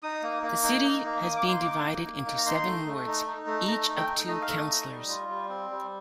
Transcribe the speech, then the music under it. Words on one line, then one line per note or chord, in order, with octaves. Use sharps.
The city has been divided into seven wards, each of two councillors.
D#4 D#6
A#3
A#3
D#4
D#4
A#3
A#3 D#6
D6
D#4 C6
D#4 D6
A#3
A#3
D#4
A#5
D#4 C6
A3
A3
D#4
D#4
A3
A3 A#5
D#4
G5
D#4
A3 D#5
F5
A3
D#5
D#4
G3
F4
G3
C4
G3